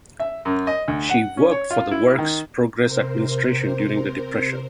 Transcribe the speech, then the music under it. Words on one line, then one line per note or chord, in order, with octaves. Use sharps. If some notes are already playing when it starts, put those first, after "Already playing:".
She worked for the Works Progress Administration during the Depression.
E5
F#2
D#5
D2
F#5
C#4
C#5
F4
E4
D#3
C3 A#4 C5